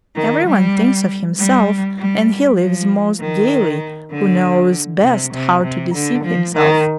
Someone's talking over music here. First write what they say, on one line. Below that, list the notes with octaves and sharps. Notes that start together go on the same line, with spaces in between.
Everyone thinks of himself, and he lives most gaily who knows best how to deceive himself.
D#3
G3
G3
G3
F3
D#3
D3
C3
C3
C3
D3
F3
D#3